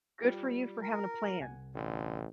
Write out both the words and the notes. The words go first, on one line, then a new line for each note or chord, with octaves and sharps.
Good for you for having a plan.
G3 F4 G4
A#4
C2 F#5 G#5
A1 D3